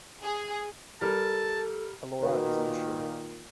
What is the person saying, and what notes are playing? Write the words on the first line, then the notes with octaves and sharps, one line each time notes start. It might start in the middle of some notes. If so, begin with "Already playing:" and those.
Elora is unsure.
G#4
G3 A4 A#4 A5
A#2 D#3 F#4 B4